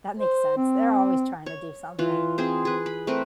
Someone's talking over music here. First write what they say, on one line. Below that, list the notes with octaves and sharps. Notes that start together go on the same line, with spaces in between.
That makes sense. They're always trying to do something.
C5
C4
C#5
E3 F4
C4 G#4 C5
G#4 B4
B5
A3 C4 A#4 B4